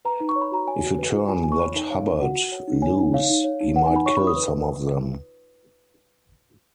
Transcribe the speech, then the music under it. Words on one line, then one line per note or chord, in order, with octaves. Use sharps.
If you turn that Hubbard loose, he might kill some of them.
B4 A#5
D#4
C#6
C#5
B5
F#4 A#5
C#5 G#5
F#4
B4
F4
F4 G#5
F4 G#5
C#6
C#5 B5
D#4
C#5 F5
F4
F#4 F#5
F#4
C#5
D#4
C#5 G#5
D#4
C#5 F5
D#4
C#5
D#4
B4 F#5
G#5
D#4
B5
C#5 C#6
B5
F4
D#6
B4